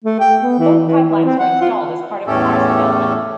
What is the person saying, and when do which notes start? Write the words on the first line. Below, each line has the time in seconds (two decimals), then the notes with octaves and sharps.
Both pipelines were installed as part of the Mars development.
0.04 A3
0.20 G5
0.41 B3
0.59 E3
0.86 E3
1.08 E3
1.25 C4
1.39 F#5
1.61 F4
2.27 E2 A2 A3 C#4 G4 A4